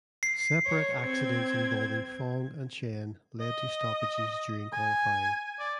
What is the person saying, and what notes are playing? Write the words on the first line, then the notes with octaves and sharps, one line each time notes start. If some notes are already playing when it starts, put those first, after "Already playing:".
Separate accidents involving Fong and Chen led to stoppages during qualifying.
C7
C#5
C4 G#6
D#5
G#5
D5